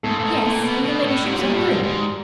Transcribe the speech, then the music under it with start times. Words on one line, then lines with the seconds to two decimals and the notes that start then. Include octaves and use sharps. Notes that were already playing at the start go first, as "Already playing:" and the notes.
"Yes, in your ladyship's own room."
0.03 G#2 A3 A4
0.18 G2
0.24 G#2
0.44 A#2
0.64 B2
0.83 B2
1.04 A2
1.23 G#2 G4
1.33 F#4
1.38 A#2
1.43 G3 G4
1.54 A2
1.68 G#2
1.83 G#2